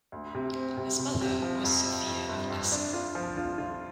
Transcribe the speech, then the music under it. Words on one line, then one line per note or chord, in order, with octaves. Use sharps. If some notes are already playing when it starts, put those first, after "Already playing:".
His mother was Sophia of Nassau.
D2
C3
C4
C3
C3
C3
F3
F2
F2
F2
G1
F2
D4
F4
F3
F4
F4